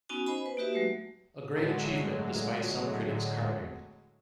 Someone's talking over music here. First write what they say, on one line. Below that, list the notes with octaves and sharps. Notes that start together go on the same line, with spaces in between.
A great achievement, despite some critics' carping.
B3 C#4 D#4 F#4 G#5
C5 D#5 G#5 B5
B4
A#3 D#4 F#4 G4 B4 E5
F#3 G#3 A3 F#4
A2 D3 F#3 G#3